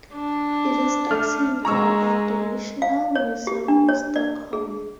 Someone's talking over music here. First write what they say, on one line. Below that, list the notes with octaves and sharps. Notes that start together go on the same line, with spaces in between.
It is exhibited at the Nationalmuseum in Stockholm.
D4
A3 F6
G#3 A#5 C#6 E6
F5
C#5
G4
D4
C#5
D5
G#4